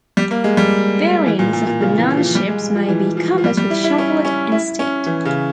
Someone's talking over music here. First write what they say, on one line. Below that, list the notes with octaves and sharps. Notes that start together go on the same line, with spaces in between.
Variants of banana chips may be covered with chocolate instead.
G3
A#3
G#3
G3
E3
A#2
A#2
A#2
C#3
E3
F3
G3
G#3
F3
E3
F3
F3
G3
G3
E4
E4
C#4
C#4
E4
C#4
E3
C#3